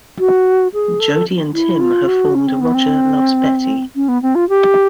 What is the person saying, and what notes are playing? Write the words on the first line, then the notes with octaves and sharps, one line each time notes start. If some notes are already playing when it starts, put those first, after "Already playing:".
Jodi and Tim have formed "Roger loves Betty".
F#4
G#4
A4
E4
F4
F#4
C#4
C4
B3
C4
C#4
B3
C4
F4
G4